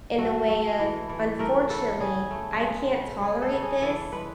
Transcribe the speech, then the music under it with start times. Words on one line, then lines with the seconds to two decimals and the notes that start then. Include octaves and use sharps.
in the way of, "Unfortunately, I can't tolerate this,
0.18 A3 F#4
0.48 A3
0.79 E3
1.09 E3
1.39 A3 A#4
1.70 C#3 A4
2.00 C#3 G#4
2.31 A3
2.61 G#3
2.91 C#3
3.22 C#3 G#4
3.42 A4
3.52 C#3
3.62 G#4
3.82 E3 A4
4.12 G#3 B4